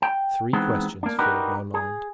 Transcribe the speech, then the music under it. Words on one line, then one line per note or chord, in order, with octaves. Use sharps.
Three questions filled my mind.
G5
E3 G#3 B3 C4 D#4 G#4
A#3 D4
D4 D#4 F#4 G4 A#4 B4
G#4